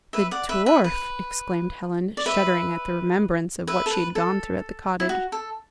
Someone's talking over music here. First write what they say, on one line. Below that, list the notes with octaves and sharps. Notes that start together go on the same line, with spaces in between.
"The dwarf!" exclaimed Helen, shuddering at the remembrance of what she had gone through at the cottage.
B4 E5
D5 F#5
B4 E5
B4 E5
B4
D5
B4 E5
B4 E5
A4
B4
A4
E4
F#4
A4